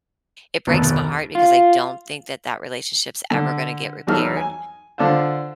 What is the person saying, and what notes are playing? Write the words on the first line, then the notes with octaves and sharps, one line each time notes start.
it breaks my heart because I don't think that that relationship's ever gonna get repaired,
F1 D2 B2 D#3 A6
F4
D3
E2 F#3 D#4 A4 F6
G#5
D3 D4 F4 C5